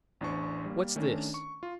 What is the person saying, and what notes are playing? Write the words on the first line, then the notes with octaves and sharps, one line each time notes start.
"What's this?"
A1 E2 D4 C5 C#6
G3 A#3
D#3 A3 C#4 D4
C#6
F4